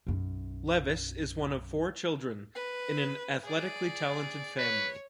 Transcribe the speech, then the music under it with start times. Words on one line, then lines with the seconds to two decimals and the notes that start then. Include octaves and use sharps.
Levis is one of four children in an athletically talented family.
0.07 B1 F#2
2.55 B4
3.44 G#4 D5
4.58 B4 C#5